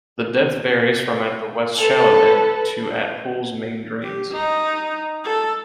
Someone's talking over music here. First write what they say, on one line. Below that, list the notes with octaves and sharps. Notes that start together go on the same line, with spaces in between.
The depth varies from at the west 'shallow' end, to at pools' main drains.
A4 B4
G4
D#4
A4